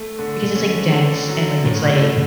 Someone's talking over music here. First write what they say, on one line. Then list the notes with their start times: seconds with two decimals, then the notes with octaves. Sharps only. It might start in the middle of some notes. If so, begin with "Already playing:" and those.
Because it's, like, dense and, like it's, like,
Already playing: A3
0.19 D3
0.55 C#4
0.92 D3
1.28 F#3
1.65 A2
2.02 A3